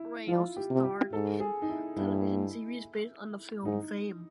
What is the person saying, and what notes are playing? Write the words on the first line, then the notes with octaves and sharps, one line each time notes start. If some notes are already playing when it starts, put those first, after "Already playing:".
Ray also starred in television series based on the film, "Fame".
Already playing: E4
F3 F4
G4
C3
G4
G#2 A4
G#4
D#4
E4
G2 E4
G#2 D#4